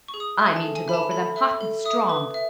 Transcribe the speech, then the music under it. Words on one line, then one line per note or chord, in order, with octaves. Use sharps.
I mean to go for them hot and strong.
C#6
G#4
D#6
E5
G#5
A5
A4
G#5
E5 B5
A5
A4 B5
E5
A4
E5 D#6
B4
E5